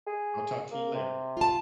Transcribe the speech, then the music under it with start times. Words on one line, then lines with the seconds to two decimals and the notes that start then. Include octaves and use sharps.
I'll talk to you later.
0.06 G#4
0.71 A#3
0.93 C3
1.37 F4 A5